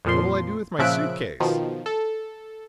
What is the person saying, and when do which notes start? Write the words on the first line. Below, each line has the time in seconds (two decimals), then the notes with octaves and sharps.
'What'll I do with my suit-case?'
0.05 F2 A#2 F3 C6
0.79 A#2 C#3 F3 E5 F#6 D7
1.40 B2 D#3 F3
1.86 A4